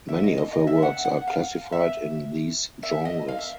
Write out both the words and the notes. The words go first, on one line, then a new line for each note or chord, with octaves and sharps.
Many of her works are classified in these genres.
E5
D#5
D#5
D#5
E5
F#5
F#5
F5
E5
E5
D#5
F5
E5